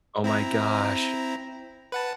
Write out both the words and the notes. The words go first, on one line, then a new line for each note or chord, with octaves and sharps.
Oh my gosh,
C4 E4 A#5
B4 F#5 A5